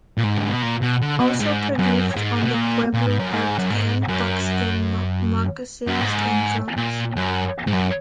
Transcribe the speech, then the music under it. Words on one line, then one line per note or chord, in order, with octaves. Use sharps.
Also produced on the pueblo are tanned buckskin moccasins and drums.
A#2
G#2
D3
B2
A#2
B2
D3
B2
G#2
F#2
G#2
B2
A#2
A#2
G#2
F#2
G#2
F#2
G#2
F#2
F#2
G#2
A#2
F#2
G#2
F#2